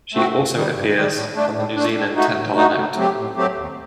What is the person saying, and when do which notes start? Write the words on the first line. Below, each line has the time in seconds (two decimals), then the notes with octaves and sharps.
She also appears on the New Zealand ten-dollar note.
0.14 A3 C4 F#4
0.34 G2
0.54 D#3 G3
0.74 G2
0.94 D#3 G3
1.14 A2
1.35 A3 D4
1.55 A2
1.75 A3 D4
1.94 A2
2.15 A3 D#4 F#4
2.36 A2
2.55 A3 D#4 F#4
2.75 A2
2.96 F#3 A3 C4 G4
3.16 A2
3.36 F#3 A3 C4 G4
3.57 D#2